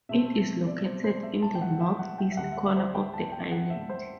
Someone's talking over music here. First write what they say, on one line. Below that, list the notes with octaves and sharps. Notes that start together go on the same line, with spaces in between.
It is located in the north-east corner of the island.
B2 A3 C4 E5
D5
C5
C5
E5
A5
G5
F#5
E5
F#5
G5
E5
D2 D3 G3 F#5
E5
E5
C5
D5
G5
A5
G5
F#5
E5
C5